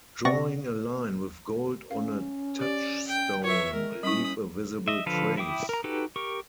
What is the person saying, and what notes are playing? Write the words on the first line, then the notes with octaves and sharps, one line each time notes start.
Drawing a line with gold on a touchstone will leave a visible trace.
C3 C4 D5 F#5 C#6 A#6
C#4 F5
G4 D5
G5
F4 B4 C#5 E5
G#3 A#4
G3 C#4 E4 B5 D#6
D#5 E5
D3 F3 A4 B4 F5
E4 E5 G5 D6 D#6
A#4 A#5
D#4 F#4 G4 A4 B4
G4 A#4 C#6